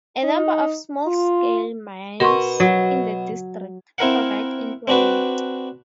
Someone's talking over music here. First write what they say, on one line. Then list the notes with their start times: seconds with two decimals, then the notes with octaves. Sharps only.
A number of small scale mines in the district provide employment.
0.24 D#4
1.07 F4
2.20 B2 A#4 C6 C#6
2.60 F#3
3.98 C4 E4 A#4 F5 F#5
4.88 C4 D4 F#4 B4